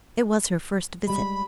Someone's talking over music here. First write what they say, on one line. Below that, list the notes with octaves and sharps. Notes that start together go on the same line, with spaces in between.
It was her first visit.
G3 G#3 B5